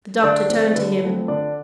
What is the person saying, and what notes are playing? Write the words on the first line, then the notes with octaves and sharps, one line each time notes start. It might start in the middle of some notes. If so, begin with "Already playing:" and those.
The Doctor turned to him.
D3 D4 D5
F3 A3 C4
D3 B4
F3 A3 C4
D3 D4 D5